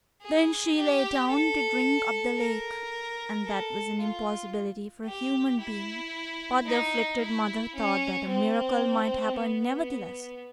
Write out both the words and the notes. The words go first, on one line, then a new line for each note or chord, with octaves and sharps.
Then she lay down to drink up the lake, and that was an impossibility for a human being, but the afflicted mother thought that a miracle might happen nevertheless.
G#4
G4
A4
A#4
A4
F4
G4
E4
D#4
E4
C#4
C4
B3